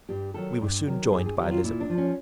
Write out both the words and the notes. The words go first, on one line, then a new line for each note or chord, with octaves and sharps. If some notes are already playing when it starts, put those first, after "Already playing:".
We were soon joined by Elizabeth.
G2 G4
D#3 F#3 A4
G2
D#3 F#3
G2 G#4
G#4
D#3 F#3 G4
F4
A#2 E4
D4
F3
C#4